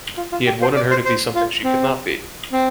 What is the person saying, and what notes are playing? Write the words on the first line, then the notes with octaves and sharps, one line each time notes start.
He had wanted her to be something she could not be.
F4
F4
G4
C5
D5
C5
C5
F4
C4
C4